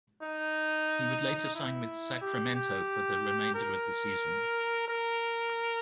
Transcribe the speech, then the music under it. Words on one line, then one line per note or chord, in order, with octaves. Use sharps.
He would later sign with Sacramento for the remainder of the season.
D#4
E4
G4
G4
A#4
A#4